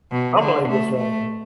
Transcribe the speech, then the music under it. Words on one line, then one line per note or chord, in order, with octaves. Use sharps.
I'm a Lakers fan.
B2
D3
A3
A3